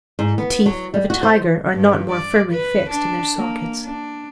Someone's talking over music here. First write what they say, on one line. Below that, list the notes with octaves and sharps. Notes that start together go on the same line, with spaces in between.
The teeth of a tiger are not more firmly fixed in their sockets.
G#2
B3
F#3
G3
F#4
C5
G2
D5
B4
D4
A#3
D4